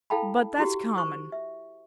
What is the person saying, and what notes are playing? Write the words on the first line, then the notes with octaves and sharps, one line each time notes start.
'But that's common.
E4 A4 F5 G5 A5 B5
E4 F#4 G4
C5 C#6
E5